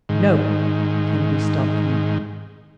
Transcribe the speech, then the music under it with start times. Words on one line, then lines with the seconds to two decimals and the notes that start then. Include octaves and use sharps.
"No!" Kennedy stopped me.
0.09 G#2 D#3